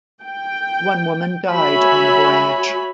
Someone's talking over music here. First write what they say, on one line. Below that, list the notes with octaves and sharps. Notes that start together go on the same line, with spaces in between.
One woman died on the voyage.
G5
F#4 C#5 E5 G#5 B5